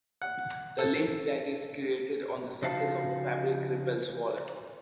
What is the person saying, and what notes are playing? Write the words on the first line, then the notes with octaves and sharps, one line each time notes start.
The lint that is created on the surface of the fabric repels water.
F#5
A4
C#3 F3 D#4 F#4 F5 A5